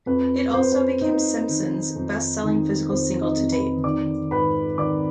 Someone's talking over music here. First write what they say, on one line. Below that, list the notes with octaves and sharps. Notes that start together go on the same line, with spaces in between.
It also became Simpson's best-selling physical single to date.
F2 B4
F2 C5
B4
C5
F2 D#4 D#5
D#3
F2
D#3
F2 C5
D#4 D#5
F2
B4 B5
D#3 D5 D6
G#2 B4 B5
D#3 D5 D6